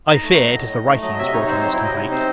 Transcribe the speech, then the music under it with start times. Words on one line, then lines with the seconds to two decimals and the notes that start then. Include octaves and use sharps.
I fear, it is the writing has brought on this complaint.
0.09 D#4 D#5
0.24 A3
0.39 F#3
0.55 A2
0.71 D#4
0.87 A3
1.02 F#3 D#5
1.18 C3 E5
1.27 D#5
1.33 D#4 C#5
1.44 C#5
1.48 C4 C5
1.60 F#3 C5
1.72 E4
1.81 C3 D#5
1.96 D#4
2.11 C4 C5